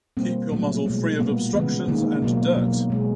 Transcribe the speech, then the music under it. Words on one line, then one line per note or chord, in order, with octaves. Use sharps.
Keep your muzzle free of obstructions and dirt.
B2 G3 A#3 C4
A#2 F#3 A3
B2 G#3
A#2 G3 A#3 B3
C#3 E3 G#3 B3
D#3 G#3 A#3
B2 F#3 A#3
B2 F#3 A#3
B2 G#3